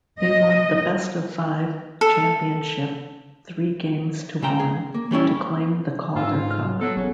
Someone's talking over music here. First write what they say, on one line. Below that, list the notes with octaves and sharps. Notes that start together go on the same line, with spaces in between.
They won the best-of-five championship three games to one to claim the Calder Cup.
D#5
A4
C#3 G#3 E5 G5 A#5
G#4
A#3
E3 G3 C#4 E4
G#2 F4 E6
F5
F6
F#3
F#3 B3 A4
E1 C#4 G#4